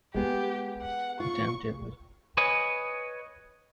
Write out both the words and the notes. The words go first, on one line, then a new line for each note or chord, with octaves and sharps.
The time table.
G#3 B3 G4 G#4
F#5
F4 C#6
B4 C#5 D#5 G#5